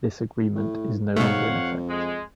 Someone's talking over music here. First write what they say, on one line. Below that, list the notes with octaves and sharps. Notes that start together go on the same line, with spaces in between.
This agreement is no longer in effect.
A2
G#2 B2 A3 C#5 F5 F#5
F2
G#3